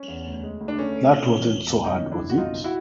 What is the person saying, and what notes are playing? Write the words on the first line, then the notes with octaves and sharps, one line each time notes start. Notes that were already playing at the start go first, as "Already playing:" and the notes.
That wasn't so hard, was it?
Already playing: C#4
E2
D2
G#3
D2
D4
A3 C#4
A3
A3
E3
E1
E2
F#1 C#4 D#4
D#3
D4 E4
F#1
F#4
B1 D#4 F4
E4 F#4